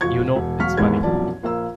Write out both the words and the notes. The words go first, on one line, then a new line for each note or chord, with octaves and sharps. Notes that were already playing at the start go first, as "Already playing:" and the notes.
You know, it's funny.
F1 F4 F#4 C#6 G#6
E1
E1 F#3 F5 C#6 F6 B6
D#2 G#2 E3 G#3 B3 G#6
C2 F#2 B2 F3 D5 A5
A#1 A#3 F5 E6